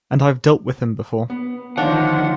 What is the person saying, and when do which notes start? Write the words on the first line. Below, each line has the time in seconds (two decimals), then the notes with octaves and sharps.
And I have dealt with him before.
1.30 B3
1.78 D2 D#3 F3 D4 C#5 F5 F#5